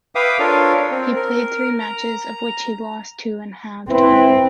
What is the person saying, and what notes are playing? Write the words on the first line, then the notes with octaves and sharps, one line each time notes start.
He played three matches of which he lost two and halved one.
B4 E5 F5 G5 D6 D#6
D4 F4 A4 A#4 C#5
C4
A#4
A#5
C4 E4 B4